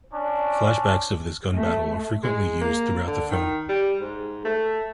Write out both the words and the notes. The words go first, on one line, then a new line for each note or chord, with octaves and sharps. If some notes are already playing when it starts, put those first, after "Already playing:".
Flashbacks of this gun battle are frequently used throughout the film.
C#4 D4
A3
G#3
A#3
D3
D#3
G3
G#2
A3